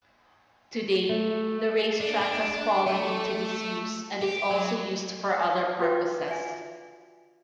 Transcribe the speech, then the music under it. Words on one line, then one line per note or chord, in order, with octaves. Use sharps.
Today the racetrack has fallen into disuse and is also used for other purposes.
A3
D4
D4
A3 A4
G4
F#3
F4 F#4 B4 F5 G5 D6
D5 E5 F5 G#5